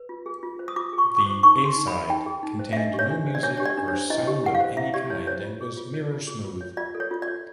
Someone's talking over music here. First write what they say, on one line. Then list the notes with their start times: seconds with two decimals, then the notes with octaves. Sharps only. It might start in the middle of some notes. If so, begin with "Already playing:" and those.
The A side contained no music or sound of any kind and was mirror-smooth.
Already playing: B4
0.09 F4
0.26 G#4
0.43 F4
0.59 C5
0.68 D#6
0.76 F4 D6
0.93 G#4
0.98 C#6
1.10 F4
1.16 C#6
1.20 D6
1.26 C5
1.43 D#4 C#6
1.60 G#4
1.65 C6
1.76 D#4
1.87 B5
1.93 C5
2.10 D#4 G5
2.26 G#4
2.43 D#4
2.59 C5
2.73 E5
2.77 D4 D#5
2.94 G4
2.99 C#5
3.10 D4
3.27 C5
3.35 D5
3.43 D4 C#5
3.57 G4 C#5
3.65 D5
3.77 D4
3.88 C#5
3.93 C5
4.10 E4 D#5
4.27 G4
4.44 E4 F#5
4.55 F5
4.60 C5
4.77 E4 E5
4.94 G4 D5
5.10 E4 C#5
5.27 C5 C#5
5.44 F4
5.61 G#4
5.77 F4
5.94 C#5
6.11 F4
6.27 G#4
6.44 F4
6.61 C#5
6.77 F4 D5
6.95 A4
7.00 C#5
7.11 F4
7.22 D5
7.28 C#5